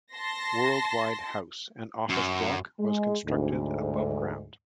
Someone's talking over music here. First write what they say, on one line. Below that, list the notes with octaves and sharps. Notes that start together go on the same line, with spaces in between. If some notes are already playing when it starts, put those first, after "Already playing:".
World-Wide House, an office block, was constructed above ground.
A5 C6 A#6
F#2
G#3
D2 G#2